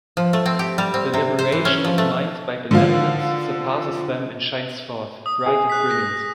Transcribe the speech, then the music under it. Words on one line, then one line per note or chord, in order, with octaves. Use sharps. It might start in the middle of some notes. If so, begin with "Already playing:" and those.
The liberation of mind by benevolence surpasses them and shines forth, bright and brilliant.
F3
A3
C4
G4
G3
C4
C3
C5
E3
C#4
F3
A3
D3 F3 F5
D#6
G#4
F#6 B6
A#6